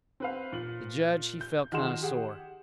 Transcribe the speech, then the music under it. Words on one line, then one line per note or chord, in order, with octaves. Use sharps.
The judge he felt kind of sore.
C4 B4 F5
A#2 F#7
G6
D#3 F3 F#4 G#4 C6 E7
G4 G#4 F#5